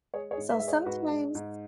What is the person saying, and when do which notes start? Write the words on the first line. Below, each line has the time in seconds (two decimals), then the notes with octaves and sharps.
So, sometimes
0.14 G#3 G#4 C#5
0.31 G#4 C#5
0.37 G#2
0.50 B4 E5
0.60 G#3 E5
0.67 G#4 C#5
0.85 G#2 F#4 B4
1.11 G#3
1.35 G#2